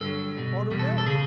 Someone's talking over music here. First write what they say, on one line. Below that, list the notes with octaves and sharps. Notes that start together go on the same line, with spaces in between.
"I don't know."
G2 D3 F#3 A4
B2 G3
E2 B2 G3
A4
A4
C#3 G#4